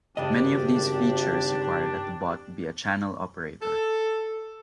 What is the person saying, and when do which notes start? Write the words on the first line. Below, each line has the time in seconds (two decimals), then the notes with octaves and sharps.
Many of these features require that the bot be a channel operator.
0.17 G#1 G2 C#3 D4 G4 D#5
3.62 A4